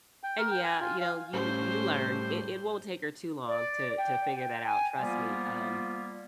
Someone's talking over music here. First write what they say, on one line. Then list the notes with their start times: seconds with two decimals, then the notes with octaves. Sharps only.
and yeah, you know, you you learn. It it won't take her too long to to figure that out, trust me, um,
0.23 G5
0.38 A#4
0.51 G5
0.65 G#5
0.80 F4
1.00 F5
1.33 A2 G3 C#4 C5
3.47 D5
3.98 G5
4.35 G5
4.66 G#5
4.99 F3 G3 A#3 B3 F4